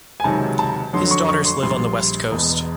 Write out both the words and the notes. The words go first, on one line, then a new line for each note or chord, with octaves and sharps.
His daughters live on the West Coast.
G#5
C#2 C3 D#3 F#3 A5
A5
F2 D3 F#3 C6
C#6
C#6
C6
A#1 A#2 G3 C6
E1 E2 B2